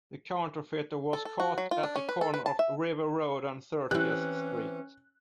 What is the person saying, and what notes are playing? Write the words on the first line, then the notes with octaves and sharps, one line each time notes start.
The counterfeiter was caught at the corner of River Road and Thirtieth Street.
A4
A4
F#4
F#3
F4
D4
C#4
B4
A4
B4
A5
E5
E3 C4 C#4 E4 G4 F#6